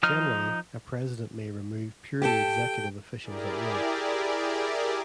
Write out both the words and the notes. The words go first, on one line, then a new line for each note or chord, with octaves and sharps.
Generally, a president may remove purely executive officials at will.
F3 D#4 F6
G4 A4 G5
E4 G4 G#4 A#4 D5